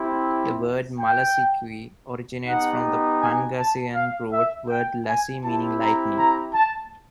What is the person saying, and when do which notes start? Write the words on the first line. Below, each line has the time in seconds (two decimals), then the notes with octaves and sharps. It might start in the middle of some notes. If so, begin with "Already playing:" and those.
The word Malasiqui originates from the Pangasinan root word "lasi" meaning lightning.
Already playing: C4 E4 G4
0.99 G5
2.47 B3 D#4 G4 F#5
3.21 G#5
3.59 A5
3.95 F5
4.32 E5
4.69 G5
5.07 G#5
5.43 C4 E4 G4 A5
5.80 A#5
6.17 A#5
6.54 A5